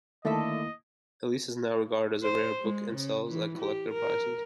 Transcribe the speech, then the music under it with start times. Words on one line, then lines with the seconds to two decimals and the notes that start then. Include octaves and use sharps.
"Elise" is now regarded as a rare book and sells at collector prices.
0.25 D3 D#3 A3 A#3 E4 A4 D#5 E5
2.23 C5
2.61 G#3
2.95 C#3
3.28 E3
3.59 G4
3.93 A#4